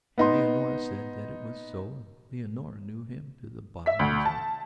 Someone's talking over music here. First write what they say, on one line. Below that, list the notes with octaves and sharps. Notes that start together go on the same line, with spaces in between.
And Leonora said that it was so and Leonora knew him to the bottom of his heart.
B3 D#4 C6
E5 B6
D2
A5